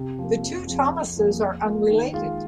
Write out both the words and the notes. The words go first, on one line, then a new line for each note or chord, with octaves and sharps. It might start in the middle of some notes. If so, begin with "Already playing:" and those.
The two Thomases are unrelated.
Already playing: C3
F3 A#3
F2
F3 C4 G#4
F2
F3 A#3 G#4
F3
A#3 F4
D#3
G#3 F4 G#4